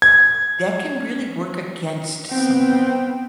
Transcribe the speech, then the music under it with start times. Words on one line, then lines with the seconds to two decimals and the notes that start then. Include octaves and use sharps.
that can really work against somebody.
0.02 G#6
2.31 B3 C4 G5